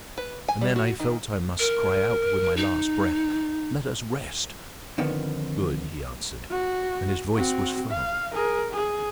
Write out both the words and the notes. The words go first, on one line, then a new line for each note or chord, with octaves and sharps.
And then I felt I must cry out with my last breath, 'Let us rest!' . . . 'Good!' he answered; and his voice was firm.
B4
G#5
G3
F#4
D#3
A#4
D#4
F2 D3 D#3 B3
F#4
C4 F#4
F5
G#4 A#4
G#4